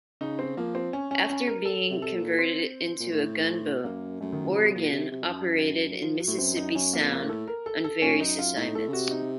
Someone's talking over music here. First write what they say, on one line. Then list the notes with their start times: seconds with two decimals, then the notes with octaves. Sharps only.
After being converted into a gunboat, "Oregon" operated in Mississippi Sound on various assignments.
0.21 C#3 D#4
0.39 C4
0.57 F3 A#3
0.75 C4
0.93 C#4
1.11 C#4
1.30 C#4
1.48 A#4
1.65 A4
1.90 C3
2.02 A4
2.15 A#2
2.38 C4
3.00 A#2
3.12 A2
3.84 F#2 A#3
4.21 F#2 A3
4.33 D#3
4.45 F3
4.50 C#3
4.57 C3 F#3
4.75 A#2
4.93 C3
5.12 C3
5.23 F2
5.29 F#2
5.93 F#3
6.02 F3
6.20 F#3
6.27 A2
6.38 F#2 C4
6.57 D#4
6.75 F#2 C#4
6.93 A#3
6.99 F2
7.11 A#3
7.23 A2
7.29 A4
7.48 A#4
7.66 A4
7.84 A4
8.02 A#2 C#4
8.13 A2
8.20 F#2 D#4
8.39 F4
8.57 A2 D#4
8.75 A4
8.88 C#3
8.93 C3 F#4
9.11 D#4